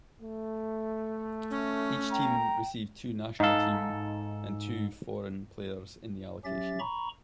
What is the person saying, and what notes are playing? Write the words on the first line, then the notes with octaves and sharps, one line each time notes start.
Each team received two national team and two foreign players in the allocation.
A3
C#4
G5 A#5
G#2 D#4 A4 F5
F#3 C#4 G4 E5 A6
A#5 B5 C#6